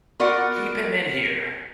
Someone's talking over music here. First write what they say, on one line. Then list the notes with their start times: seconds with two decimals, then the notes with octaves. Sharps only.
Keep him in here!
0.20 B3 F4 F#4 A#4 D5 F#5